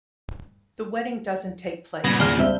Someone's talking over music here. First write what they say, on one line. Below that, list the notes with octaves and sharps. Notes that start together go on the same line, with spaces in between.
The wedding doesn't take place.
G2 A#2 C#3 B3 A#6
E2 C6 F6 A#6
C#2 G2 C4 E5 G6